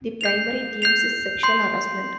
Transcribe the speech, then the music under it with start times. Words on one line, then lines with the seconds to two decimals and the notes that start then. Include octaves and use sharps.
The primary theme is sexual harassment.
0.21 G6 C7 F7
0.82 G6 C7 F7
1.43 C6 G6 C7